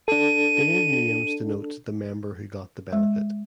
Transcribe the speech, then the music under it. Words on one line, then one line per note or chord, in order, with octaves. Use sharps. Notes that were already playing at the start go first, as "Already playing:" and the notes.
Bold names denotes the member who got the benefit.
D4 A4 D#7
G#3